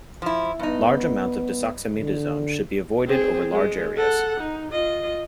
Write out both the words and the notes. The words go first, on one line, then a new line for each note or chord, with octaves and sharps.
Large amounts of desoximetasone should be avoided over large areas.
F3 E4
G2 B3 D#4
D3
C4 G#4
G#3
A4 F#5
D#4
F4 D#5